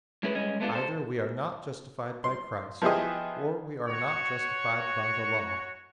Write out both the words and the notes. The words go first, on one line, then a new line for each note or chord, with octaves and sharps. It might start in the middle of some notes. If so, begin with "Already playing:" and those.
Either we are not justified by Christ, or we are not justified by the Law.
A2 G#3 C#4 E4 G#4 B4
G3 G#3 C#4 D#5
G#3 A3 B3 D4 F4
A4 C5
C6
F3 B3 E4 G4 G#4 D#5
F#4 C#5